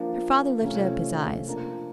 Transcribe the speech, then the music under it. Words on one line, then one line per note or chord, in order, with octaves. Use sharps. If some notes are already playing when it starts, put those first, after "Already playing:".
Her father lifted up his eyes.
Already playing: F3 A#3 D4
C3 F3 A3 C#4
F3 A#3 D4